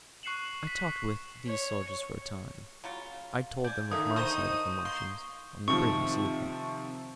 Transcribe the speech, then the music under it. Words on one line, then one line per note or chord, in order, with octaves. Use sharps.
I talked with these soldiers for a time; I told them of my sight of the Martians on the previous evening.
C#6 F#6 C7 C#7 E7 F#7
B6
C#5
C#3 F#3 F4
D5 G#5 G6
D3 D#3 A#3 D#4 E5 D#6
D3 D#4 C5 C#6 D#6 D#7
A#3 C6
C3 D#3 F3 C#6